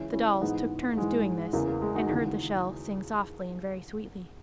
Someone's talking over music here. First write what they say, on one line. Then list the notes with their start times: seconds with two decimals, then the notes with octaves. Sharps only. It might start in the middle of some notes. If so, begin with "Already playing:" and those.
The dolls took turns doing this, and heard the shell sing softly and very sweetly.
Already playing: C#2 C#3 E3 C#4 E4
0.13 C#4 E4
0.41 G#2 E3 B3 D#4
0.97 G#2 E3 G#3
1.53 E2 C#3 E3 A#3
1.68 A#3
1.82 G#3
1.95 D#4 F#4
2.09 D#2 C#3 E3